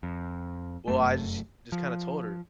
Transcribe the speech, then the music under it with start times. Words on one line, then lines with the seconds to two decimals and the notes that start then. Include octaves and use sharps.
Well, I just just kinda told her
0.03 F2
0.88 F1 F#2 A3
1.72 F3